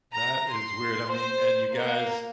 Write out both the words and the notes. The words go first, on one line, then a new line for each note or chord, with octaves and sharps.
That is weird, I mean, and you guys
A#5
C6
C5
A#3